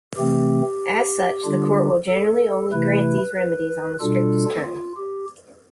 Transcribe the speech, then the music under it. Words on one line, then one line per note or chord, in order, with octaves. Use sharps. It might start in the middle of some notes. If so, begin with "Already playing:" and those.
As such, the court will generally only grant these remedies on the strictest terms.
C3 E3 A3 C4 G4
D3 G3 D4 F4
A4
C3 E3 A3 E4 B4
B4
B2 G3 D4 F4 A4
F4
G4